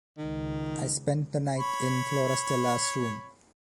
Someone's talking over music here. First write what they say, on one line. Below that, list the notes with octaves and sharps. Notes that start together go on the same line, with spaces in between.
I spent the night in Florastella’s room.
C#2 D#3
C#5 B5